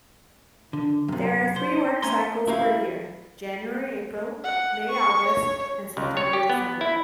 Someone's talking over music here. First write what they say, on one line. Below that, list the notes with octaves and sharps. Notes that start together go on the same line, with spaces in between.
There are three work cycles per year: January-April, May-August, and September-December.
D3
F#2 C3
C5
A3 C#4 C#5 G#5 A#5 C6
E4 F#4 G4 A#4 F5
F#5
C#6
C#5
C#2
C#5
G4
B3
E4